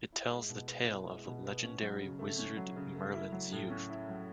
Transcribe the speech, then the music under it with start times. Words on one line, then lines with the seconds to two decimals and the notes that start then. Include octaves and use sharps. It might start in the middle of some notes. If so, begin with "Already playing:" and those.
It tells the tale of the legendary wizard Merlin's youth.
0.12 E4
0.31 G#3
0.50 B2
0.68 B3
0.88 E4
1.06 G#3
1.25 B2
1.45 B3
1.63 C#4
1.82 F#3
2.01 C#3
2.19 A3
2.38 C#4
2.57 F#3
2.76 C#3
2.95 A3
3.14 E4
3.32 F#3
3.52 A2
3.70 C#4
3.90 E4
4.09 F#3